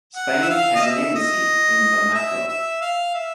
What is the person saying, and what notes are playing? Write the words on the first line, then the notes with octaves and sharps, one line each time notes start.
Spain has an embassy in Bamako.
F#5
E5
F5
D#5
E5
D#5
E5
E5
F5
E5